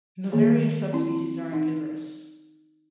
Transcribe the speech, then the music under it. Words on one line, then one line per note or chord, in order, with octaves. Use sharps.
The various subspecies are omnivorous.
D#3 A#3 G#4
C4 E4
D#4